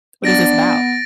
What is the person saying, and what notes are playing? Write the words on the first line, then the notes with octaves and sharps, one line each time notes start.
what is this about?
B3 D4 A6 A#6 D7